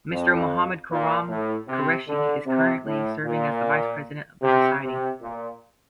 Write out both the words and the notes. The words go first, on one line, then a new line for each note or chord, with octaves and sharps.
Mr Mohammad Khurram Qureshi is currently serving as the Vice President of the society.
F2
A#2
A2
C3
D3
C3
A2
A#2
C3
C3
A#2